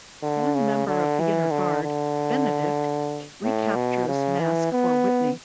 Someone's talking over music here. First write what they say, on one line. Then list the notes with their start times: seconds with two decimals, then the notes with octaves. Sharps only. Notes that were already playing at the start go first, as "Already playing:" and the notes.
One member of the Inner Guard, Benedict, recaptures Masque for Whitney.
0.23 D3
0.55 C#3
0.87 D3
1.20 E3
1.51 D3
1.83 D3
3.44 A2
3.75 B2
4.08 C#3
4.40 E3
4.72 B3